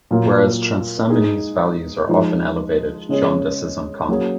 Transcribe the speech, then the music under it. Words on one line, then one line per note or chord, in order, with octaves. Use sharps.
Whereas transaminase values are often elevated, jaundice is uncommon.
A#2 F#3 A#3 F4
G#3 D#4 G#4
F3 G#3 D#4
C#3 G#3 C#4 G#4
F#3 A#3 C#4 G#4